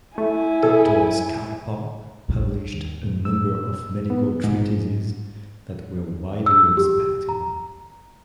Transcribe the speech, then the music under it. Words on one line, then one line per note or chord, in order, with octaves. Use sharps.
Doctor Scarpa published a number of medical treatises that were widely respected.
A3 E4 G#5
G#4 A4
D#2
E6
B3
G#2
E6
G4
A#5